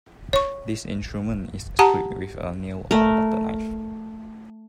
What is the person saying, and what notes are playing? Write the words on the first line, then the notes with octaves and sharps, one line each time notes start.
This instrument is scraped with a nail or butter knife.
C#5 C#6
G4 F#5 A5 A#5
A3 A#4